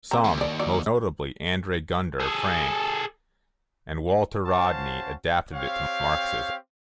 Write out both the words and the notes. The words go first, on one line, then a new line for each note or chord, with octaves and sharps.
Some, most notably Andre Gunder Frank and Walter Rodney adapted it to Marxism.
A3 C4 A#5
D#2
C#5 D5
F#3 D5
G#4 A4
C#4 F#4 C5 F5 A5
C4 G4 C#5 F5